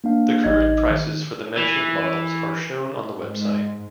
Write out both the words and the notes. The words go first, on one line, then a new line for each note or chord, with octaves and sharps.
The current prices for the mentioned models are shown on the website.
A#3 D4 F5
A1 D#4 D#5 G#6
D#3
E3
G#2